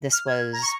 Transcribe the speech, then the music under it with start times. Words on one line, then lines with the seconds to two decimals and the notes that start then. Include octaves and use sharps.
This was
0.12 F6
0.28 G#6
0.53 A#5
0.62 C#6